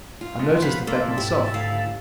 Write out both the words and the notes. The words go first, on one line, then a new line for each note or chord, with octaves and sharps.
'I noticed the fact myself.'
F4
C#3 G#3 A3 C6
F3 B3 F#4 B4
A#3 E4 A4
G#2 B2 B3 G4
D2 C#3 F5